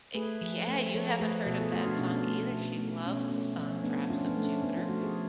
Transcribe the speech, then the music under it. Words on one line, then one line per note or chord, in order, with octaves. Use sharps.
eh, yeah, you haven't heard of that song either. She loves the song Drops of Jupiter,
A3 G#4 B4
F3
A3
F3 A4 C#5
A3 G#4 B4
B2 F#4 A4
F4 G#4
A3 F4 G#4
D4 F#4
B2 C#4 F4
A3
B2
A3
B2 C#4
A3 C#4
F3 C#4
A3 B3 D4
F3 C#4 F4
B3 D4
A3
C#4
F3 B3 D4
F4
A3 F#4
G#4